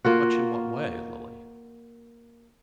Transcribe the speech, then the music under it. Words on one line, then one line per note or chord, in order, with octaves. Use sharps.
"Much in what way, Lily?"
A#3 F4 F#4